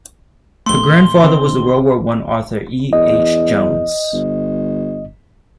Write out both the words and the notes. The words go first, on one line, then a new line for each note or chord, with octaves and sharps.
Her grandfather was the World War One author E. H. Jones.
A#1 A3 C6 G7
D3 D#3 C4
E2 D#5
G1